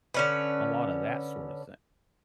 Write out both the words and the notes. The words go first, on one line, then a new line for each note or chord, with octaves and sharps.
a lotta that sort of thing.
D3 C#4 B4